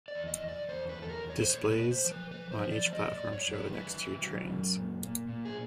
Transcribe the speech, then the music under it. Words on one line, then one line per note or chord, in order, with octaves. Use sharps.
Displays on each platform show the next two trains.
D5
E2
D#5
E2
D5
E2 C5
B4
E2
A4
A#4
E2
C#5
C5
A#2 C#5
B4
A#2
C5
F3
B4
F3 B4
C5
F3
D5
F3
D#5
F#2 D5
C#5
F#2
B4
D#3
B4
D#3
F#3
F#2
A#2
A#2
A#2
G#4